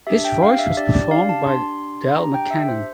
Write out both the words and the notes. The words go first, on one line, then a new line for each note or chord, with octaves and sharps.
His voice was performed by Dal McKennon.
D4 G4 E5
G5
F5
E5
D4 G4 D5
D5
F5
A5
D4 G4 C6
D4 G4 A#5
G5
E5
C5